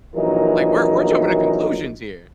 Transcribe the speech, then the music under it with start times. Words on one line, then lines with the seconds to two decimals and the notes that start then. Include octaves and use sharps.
Like, we're we're jumping to conclusions here.
0.16 A#1 E3 F#3 D#4 A#4